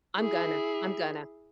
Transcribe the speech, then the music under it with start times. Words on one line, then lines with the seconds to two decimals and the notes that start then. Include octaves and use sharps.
I'm gonna. I'm gonna.
0.19 E4 G#4